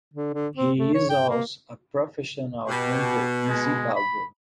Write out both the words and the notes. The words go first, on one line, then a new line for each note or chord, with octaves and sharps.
He is also a professional hunter in Zimbabwe.
D3
D3
C4
A3
C#5
G5
A#3
B2 G4
G#3
B5